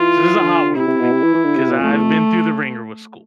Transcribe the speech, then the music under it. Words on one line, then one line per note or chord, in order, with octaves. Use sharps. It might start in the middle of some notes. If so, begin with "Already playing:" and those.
So this is a hot one for me 'cause I've been through the ringer with school.
Already playing: E3 F4
D3
C3 E4
C3
B2
C3
E3
E3
D3
C3
B2
F2 A3
E2
F2